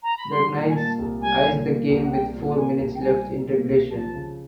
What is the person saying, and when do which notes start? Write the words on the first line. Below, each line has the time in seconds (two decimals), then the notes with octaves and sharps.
The Knights iced the game with four minutes left in regulation.
0.03 A#5
0.17 B5
0.31 G3 C6
0.54 A#2
0.69 G#5
0.75 A#3 A5
0.98 C2
1.21 G3 G#5
1.44 A#2
1.66 A#3
1.89 C2
2.05 F#5
2.11 G3 G5
2.33 A#2
2.55 A#3 G#5
2.78 C2
2.95 G5
3.01 G3 G#5
3.23 A#2
3.46 A#3
3.68 C2
3.91 F3 A5
4.13 C#3